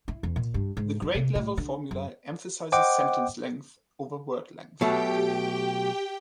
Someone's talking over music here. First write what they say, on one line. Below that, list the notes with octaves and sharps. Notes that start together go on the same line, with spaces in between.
The grade level formula emphasises sentence length over word length.
E4
E2
A#2
G2
G#2
F#2
C3
A2
D3
F#2
C5 D#5 F#5 G5 D6
B2 F#3 A3 G4 G5